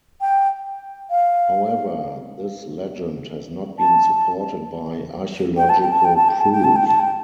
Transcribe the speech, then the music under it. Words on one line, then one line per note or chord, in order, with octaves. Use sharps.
However, this legend has not been supported by archaeological proof.
G5
F5
A5
G5
A5
G5
A5
G5
A5
G5
A5
G5
A5
G5
A5
G5